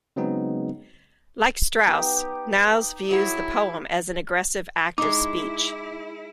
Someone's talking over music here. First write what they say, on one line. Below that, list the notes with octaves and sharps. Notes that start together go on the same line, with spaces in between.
Like Straus, Niles views the poem as an aggressive act of speech.
C#3 F#3 G#3 B3 C4 D#4
B3 D#4 G4
F#3 E4 G#4 C#5
G#3 D#4 E4 D6